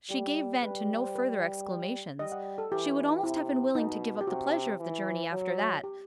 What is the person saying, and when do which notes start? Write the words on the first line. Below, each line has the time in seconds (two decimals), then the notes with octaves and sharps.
She gave vent to no further exclamations. She would almost have been willing to give up the pleasure of the journey after that.
0.11 G3 G4
0.63 G3 B4
1.04 C5
1.15 B4
2.19 G3 D#5
2.32 F#5
2.58 A4
2.72 E3 G4
3.23 C3 E4
3.75 B2 D#4
4.21 G4
4.27 C3 F#4
4.80 E3
5.32 F#3
5.84 G4